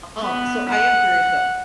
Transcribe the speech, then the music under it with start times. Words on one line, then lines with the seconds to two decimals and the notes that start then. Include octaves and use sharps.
Um, so I am curious though,
0.20 B3
0.69 F#5